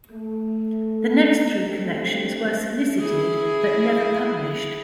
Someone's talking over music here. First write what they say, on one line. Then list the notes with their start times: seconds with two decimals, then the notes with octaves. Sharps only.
The next three collections were solicited, but never published.
0.11 A3
1.57 A3 C4 D4 G4
2.99 E4 G#4